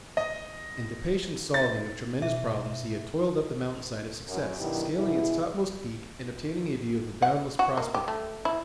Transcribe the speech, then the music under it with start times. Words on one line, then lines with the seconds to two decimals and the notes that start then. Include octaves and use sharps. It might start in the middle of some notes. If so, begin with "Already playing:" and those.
In the patient solving of tremendous problems he had toiled up the mountain-side of success--scaling its topmost peak and obtaining a view of the boundless prospect.
0.17 D#5
1.54 A6
2.22 B2 E5
4.28 F#2
4.59 B2 D#3 F#3 D4 E4 G4
4.95 B2 E4 G#4
7.22 F#5
7.59 F#4
7.77 A#3
7.95 G4
8.08 A3
8.45 E4